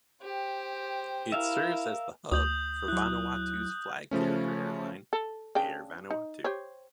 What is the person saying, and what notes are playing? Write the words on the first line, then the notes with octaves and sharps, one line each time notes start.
It serves as the hub for Vanuatu's flag carrier airline, Air Vanuatu.
G4 C5 G5
E4 A#4 E5 F5
D2 D#6 G6 F#7
F#3 E4 F#6
C#3 F3 A3 C#4
A4
C#3 D4 G5
D#4
G4 C5 C#5